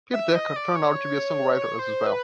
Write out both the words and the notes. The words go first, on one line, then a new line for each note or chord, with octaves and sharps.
Piet Dekker turned out to be a songwriter as well.
E5
D#5
D5
C#5
C5
B4